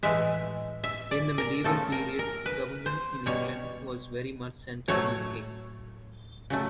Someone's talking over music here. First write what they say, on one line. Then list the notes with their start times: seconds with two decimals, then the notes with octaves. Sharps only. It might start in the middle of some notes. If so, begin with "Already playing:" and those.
In the Medieval period, government in England was very much centred on the King.
0.03 A2 E3 G#3 E5
0.83 E5
1.11 D5
1.38 A#4
1.64 C#3 F3 A3 A4
1.92 A#4
2.19 A#4
2.46 B4
2.86 C5
3.26 B2 G3 C#5
4.88 A2 F#3 A3 C#5
6.50 C#3 F#3 A3